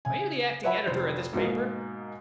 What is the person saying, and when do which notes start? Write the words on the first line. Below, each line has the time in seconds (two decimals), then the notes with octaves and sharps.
"Are you the acting editor of this paper?"
0.05 C#3 G#5
0.64 B4 C#5 E5 F#5 B5
0.87 F1 C5
1.33 G#2 B2 G#3 A#3